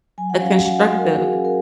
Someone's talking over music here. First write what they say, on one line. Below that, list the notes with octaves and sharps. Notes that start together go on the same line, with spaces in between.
A constructive
F#3 G#5
F#5
C#4 F#4 F5
F5
F#3 F#5
F#5
C#4 F#4 G#5
A#4
F#3 F#4
G#4
C#4 F#4 G#4
A#4